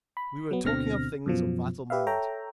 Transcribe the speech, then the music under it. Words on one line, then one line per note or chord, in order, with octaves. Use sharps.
We were talking of things of vital moment.
B5
F#3 B3
D2 B2 D3 C4 F6 A#6
F#2 B2 F3
G4 B4 E5 F5
A4 C#5 E5 G5 A#5